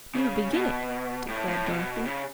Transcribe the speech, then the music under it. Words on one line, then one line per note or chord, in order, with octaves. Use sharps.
"You began it," declared Dorothy.
C#3
B2
A2
A2
B2
C#3